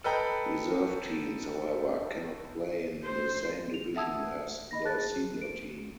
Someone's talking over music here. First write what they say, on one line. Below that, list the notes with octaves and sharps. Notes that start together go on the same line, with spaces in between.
Reserve teams, however, cannot play in the same division as their senior team.
A4 B4 D#5 G5 A#5 B5
C5
F7
E5 F#5 A5 D#6 E6 G#6
D#5 B5 A#6
G#4 A5 F#6 A6
D7